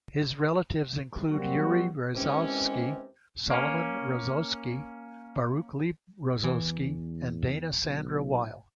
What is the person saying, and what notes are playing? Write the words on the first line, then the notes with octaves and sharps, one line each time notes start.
His relatives include Yuri Rasovsky, Solomon Rosowsky, Baruch Leib Rosowsky and Dana Sandra Wile.
F#3 G3 A#3 C4 F#4
D#2 C3 E3 G#3 C4 C#4
A#3 C#4
E2 E3
B1